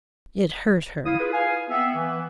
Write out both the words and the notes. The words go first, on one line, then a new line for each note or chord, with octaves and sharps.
It hurt her.
E4 F5 D#6
F4 G#4 B4
F5 G#5
B3 C4 E5
E3